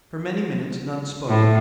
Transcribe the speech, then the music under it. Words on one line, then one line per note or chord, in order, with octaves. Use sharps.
For many minutes none spoke.
A2